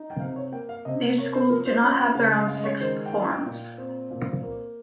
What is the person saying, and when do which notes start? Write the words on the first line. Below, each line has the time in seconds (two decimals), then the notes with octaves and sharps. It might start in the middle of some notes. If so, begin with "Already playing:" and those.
These schools do not have their own sixth forms.
Already playing: D#4
0.10 G5
0.20 C3 F5
0.36 C#5
0.52 A#3 G5
0.69 F5
0.85 C3 D#5
1.01 C5
1.17 A#3 C#5
1.34 C5
1.50 F3 A#4
1.66 C5
1.83 C#4 C#5
1.99 G5
2.15 C#3 F5
2.31 D#5
2.47 G#3 F5
2.57 D#5
2.64 C#5
2.80 D#3 C5
3.06 G5
3.13 D#4 F5
3.29 G5
3.46 A#2
3.78 C4
4.10 A#2
4.43 A#3